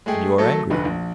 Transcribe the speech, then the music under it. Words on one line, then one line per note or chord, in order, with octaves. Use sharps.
And you are angry!
G#3 A3 G#4 G5
F#3 A3 A4
F1 D2 B4
A#1